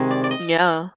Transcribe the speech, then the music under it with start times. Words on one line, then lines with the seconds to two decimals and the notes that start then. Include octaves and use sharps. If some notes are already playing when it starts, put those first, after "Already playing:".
Mm yeah.
Already playing: C3 D#3 G#3
0.11 D5
0.24 D5
0.31 D#5